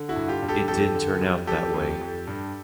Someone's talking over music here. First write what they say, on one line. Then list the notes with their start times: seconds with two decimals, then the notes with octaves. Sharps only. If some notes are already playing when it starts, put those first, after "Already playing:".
It did turn out that way.
Already playing: D3
0.09 E4 F#4
0.16 G2
0.28 F4 G4
0.42 G2
0.48 G4 A4
0.68 F2 G4 A4
0.95 D3
1.21 F2
1.47 F2 G4 A4
1.74 F2
2.01 F2
2.27 G2